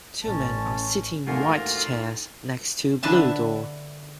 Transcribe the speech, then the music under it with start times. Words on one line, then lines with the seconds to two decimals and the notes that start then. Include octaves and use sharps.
Two men are sitting in white chairs next to a blue door.
0.23 A1 C#4 A5
1.26 D2 G#2 A3 A#3 F4 F#4 F#5 G#5
3.03 D3 D4 B4 E5 A5